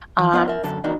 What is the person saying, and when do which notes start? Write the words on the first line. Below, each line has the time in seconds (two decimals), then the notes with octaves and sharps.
Um, f
0.19 E3
0.33 B3 F4 C5 D#5 F5 F#5
0.48 A#4 E5
0.64 F#2 D3 A4
0.84 E2 D4 D#4 F#4 A#4